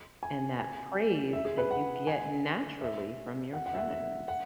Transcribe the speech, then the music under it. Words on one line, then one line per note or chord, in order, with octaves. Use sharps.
and that praise that you get naturally from your friends.
G#5
G#5
E5
G#4
B4
F#5
G#5
E5
F#5
F#5
E5
F#5
E5
F#5